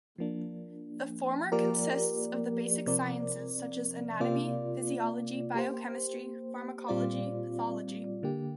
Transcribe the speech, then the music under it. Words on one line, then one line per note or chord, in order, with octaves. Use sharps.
The former consists of the basic sciences such as anatomy, physiology, biochemistry, pharmacology, pathology.
F3 A#3 D4
F3 A#3 G4 A#4 D5
C3 F3 C4 A#4 D5
C3 A#3 F4 D5
A#3 G4 C5
A#2 G3 C4 F4 D5
D3 A#3 G4